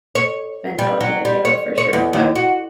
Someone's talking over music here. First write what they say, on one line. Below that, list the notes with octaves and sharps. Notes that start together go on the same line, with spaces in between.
mentality that you have, for sure. But,
C#5
G3
F#3
G3
C#5
C#5
E2
D#2
F#4